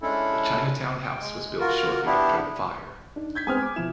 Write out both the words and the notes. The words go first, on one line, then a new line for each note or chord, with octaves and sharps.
The Chinatown House was built shortly after the fire.
G#3 C#4 D4 E4 A4
G5
G#3
F4 F#4 A#4
B3 D4 E4 G4
D4 D#4
G6 G#6 B6
G#3 B3 C4 G#5 D#6 F6
D6
B2 F3 E4 E7